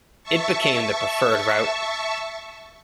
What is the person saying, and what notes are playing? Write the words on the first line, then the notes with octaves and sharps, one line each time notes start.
It became the preferred route.
E5 A5 C#6